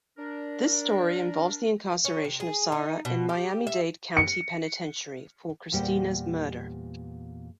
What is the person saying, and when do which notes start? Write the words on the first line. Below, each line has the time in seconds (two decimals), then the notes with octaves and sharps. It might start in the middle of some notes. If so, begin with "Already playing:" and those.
This story involves the incarceration of Sara in Miami-Dade county penitentiary for Christina's murder.
0.17 D4 A#4
2.05 C#4
2.24 C3
2.40 G#4
2.72 D#4
3.05 B2
3.29 G4
3.67 E5
4.17 C#7
5.72 E2 A#2 G3 G4 C5 F#5